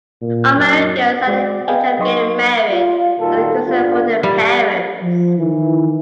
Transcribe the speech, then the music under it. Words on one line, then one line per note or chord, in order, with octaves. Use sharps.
Unmarried girls at the age of getting married are a concern for the parents.
A#2
F#2
G#3 F#4 D5
G#4 B4 D#5 F5 G5 G#5
F#3 D#4 D#5 C6 C#6
F4
A#2 D#3 G3 F4 F#4 A4
G2 D3 B3 F4
G3
F3
D#3 E3